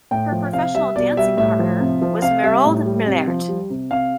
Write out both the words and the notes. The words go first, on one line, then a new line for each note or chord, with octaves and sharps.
Her professional dancing partner was Mairold Millert.
A2 G5
F3
C3 F5
G3 E5
B2 D5
G3 E5
A2 E5
F3
C3
F3
C3 F5
G3 E5
A2
G3
C3
F3
G3
C3
C3 F5